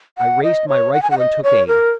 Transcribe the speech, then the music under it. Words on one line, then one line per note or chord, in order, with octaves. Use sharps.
I raised my rifle and took aim.
F#5
D#5
C#5
F#5
G#5
F#5
D#5
C#5
A#4